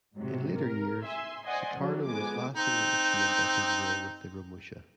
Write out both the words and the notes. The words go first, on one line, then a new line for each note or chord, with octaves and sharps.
In later years, Sukarno was lastingly ashamed of his role with the "romusha".
G#2 C3 F#3
A#4
E5 G#5 C6
C5 D5 D#5 F#5 G#5 C6
C#3 F3 F#3 D4
F2 G#3 B3 G#5 D6
C4 D#4